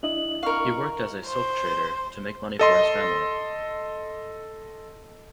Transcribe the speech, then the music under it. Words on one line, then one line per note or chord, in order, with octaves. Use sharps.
He worked as a silk trader to make money for his family.
D4 E4 D#5 F#7
A#4 F5 C#6
C5
A4 D#5 C6